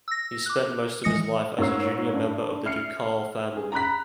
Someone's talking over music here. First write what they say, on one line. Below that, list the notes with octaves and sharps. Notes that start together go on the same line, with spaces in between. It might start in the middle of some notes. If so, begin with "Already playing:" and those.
He spent most of his life as a junior member of the ducal family.
E6 A#6
D6 F#6
E3 G#3 D#6 A#6 C#7
G#2 A#3 C#5 E6 C7
G2
E5 F6 C7 C#7
G#4
A#5 B5 F#6 B6